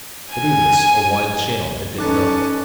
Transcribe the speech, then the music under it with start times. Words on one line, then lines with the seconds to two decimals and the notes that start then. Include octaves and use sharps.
Through this a wide channel had been dug.
0.33 G#5
1.98 C#4 D#4 A4 B4 D6 F#6 A6